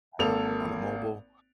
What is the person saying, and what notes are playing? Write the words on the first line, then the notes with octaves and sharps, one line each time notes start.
on the on the mobile.
G#1 A#3 A4 F7